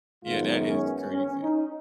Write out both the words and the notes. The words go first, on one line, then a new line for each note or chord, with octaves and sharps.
Yeah, that is crazy.
F#2 D#3 G#3 B3 F4
C#4
C#4
D#4